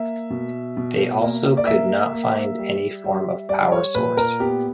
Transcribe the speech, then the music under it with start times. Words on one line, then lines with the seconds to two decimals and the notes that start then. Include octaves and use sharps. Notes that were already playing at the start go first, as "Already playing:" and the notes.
They also could not find any form of power source.
Already playing: A#3 E5
0.30 B2
0.77 B2
1.22 A#3
1.57 D5
1.67 A#3 E5
2.13 A#3
2.59 G3
3.04 G3
3.49 G3 D5
3.72 C#5
3.95 A#2 B4
4.17 A#4
4.40 B3 G4